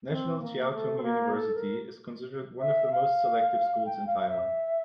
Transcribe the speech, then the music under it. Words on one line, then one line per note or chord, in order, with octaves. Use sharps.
National Chiao Tung University is considered one of the most selective schools in Taiwan.
C4
A#3
A3
C4
A#3
A4
A#4
E5
F5
G5
F5
F5
E5